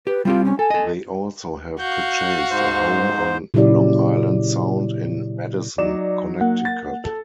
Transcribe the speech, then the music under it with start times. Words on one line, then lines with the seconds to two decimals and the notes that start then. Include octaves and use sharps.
They also have purchased a home on Long Island Sound in Madison, Connecticut.
0.07 G4 B4
0.25 G3 C4 F4 G4
0.45 C#4
0.59 A4 G#5
0.70 A4 D#5
1.79 F#4 F5 G6
2.51 G#2 C5
3.54 A#2 C#3 F#3 E4 G4 D5
5.78 F#3 D#4 D5 E7
6.41 A#3 F#5
6.65 A6
7.04 A4